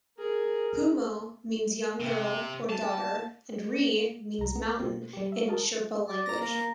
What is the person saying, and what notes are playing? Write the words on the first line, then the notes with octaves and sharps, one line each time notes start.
"Pumo" means young girl or daughter and "Ri" means mountain in Sherpa language.
G#4 A#4
C3
A5
C2 A#5
B3
B2 A#3 C4 F4
G3 G4
E5
F#4 A#4 A5 D#6
D5
A#5 A#6
A#3 A#5